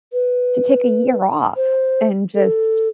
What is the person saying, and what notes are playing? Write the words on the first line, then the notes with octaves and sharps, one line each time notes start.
to take a year off, and just,
B4
C5
A4